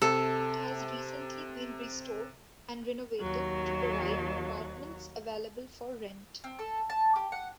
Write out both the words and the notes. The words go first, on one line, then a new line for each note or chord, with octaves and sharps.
It has recently been restored and renovated to provide apartments available for rent.
C3 A4
D#2 F#3
C4
A4
A5
G4
F#5